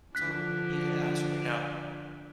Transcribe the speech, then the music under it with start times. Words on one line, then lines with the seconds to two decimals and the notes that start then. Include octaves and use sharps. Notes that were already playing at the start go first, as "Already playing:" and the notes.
So, yeah. So right now,
0.15 D3 F3 D4 F#6 B6